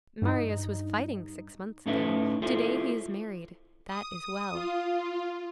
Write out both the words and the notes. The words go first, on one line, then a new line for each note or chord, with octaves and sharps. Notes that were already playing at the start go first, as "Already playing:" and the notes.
Marius was fighting six months ago; to-day he is married. That is well.
G2 D#4
A2 C#4 D#4 A4 B4 E5
E4 F4 G#4 A4 C5
D#6
F4